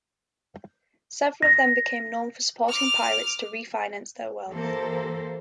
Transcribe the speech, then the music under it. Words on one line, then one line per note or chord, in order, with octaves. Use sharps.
Several of them became known for supporting pirates to refinance their wealth.
A#6
D6 F6
E3 A#3 G4 A4 A#4 C5